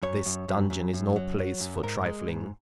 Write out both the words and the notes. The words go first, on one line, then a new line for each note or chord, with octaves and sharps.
This dungeon is no place for trifling.
F#2 C#5
F#2
F#2
F#2
F#2
F#3
F#3
F#2
G#2 A#4
G#3
G#2